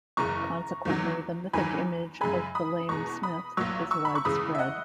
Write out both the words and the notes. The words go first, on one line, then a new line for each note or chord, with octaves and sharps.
Consequently, the mythic image of the lame smith is widespread.
F#1 E2 C#3 A#5 C#6
E2 D#3 F#3
E2 D#3 F#3 G#5 B5
F#2 C#3 G#3 G#5 B5
B5 D#6
E2 B2 G#3 A#5 C#6
B5 D#6
B1 A#2 F#3 C#6 E6
C#6 E6
B5
C#6
E2 C#3 G#3 B5 D#6
E5
D#5 F#5